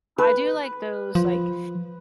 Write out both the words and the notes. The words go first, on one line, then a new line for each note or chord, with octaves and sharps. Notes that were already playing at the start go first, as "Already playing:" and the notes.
I do like those, like,
B4
F3